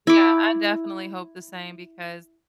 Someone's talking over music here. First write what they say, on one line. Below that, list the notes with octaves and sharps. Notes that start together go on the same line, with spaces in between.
Yeah, I definitely hope the same, because
E4 D6